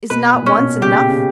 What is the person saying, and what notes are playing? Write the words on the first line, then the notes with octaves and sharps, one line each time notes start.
Is not once enough?
B2 B4
A#2
C#4
B2
A#2 C#3 G4
C#3